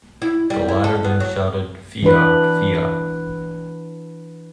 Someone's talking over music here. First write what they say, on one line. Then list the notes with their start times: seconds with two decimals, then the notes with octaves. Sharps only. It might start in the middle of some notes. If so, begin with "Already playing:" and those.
The latter then shouted, "Fiat", "fiat"!
0.22 E4
0.50 G3
0.69 E4
0.84 A4
1.04 B3
1.20 F#3
2.03 E3 D4 B4